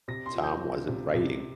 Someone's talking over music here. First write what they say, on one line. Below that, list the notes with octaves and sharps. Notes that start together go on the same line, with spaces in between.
Tom wasn't writing.
C3 A#6
C6
F3
G6
F3
C3
C3